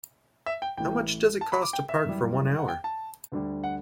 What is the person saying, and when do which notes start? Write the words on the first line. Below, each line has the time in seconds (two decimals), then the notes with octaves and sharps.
How much does it cost to park for one hour?
0.46 E5
0.62 G5
0.77 A1 A2 E3 G5
1.41 A5
1.52 B5
1.62 D6
1.73 G5
1.89 E5
2.05 F#2 E3 G3
2.59 F#5
2.68 G5
2.84 A5
3.32 D2 D3 G3
3.63 F#5